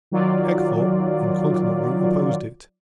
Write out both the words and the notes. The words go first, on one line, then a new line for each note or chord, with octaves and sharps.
Hagthorpe incontinently opposed it.
D#3 F#3 F4 D5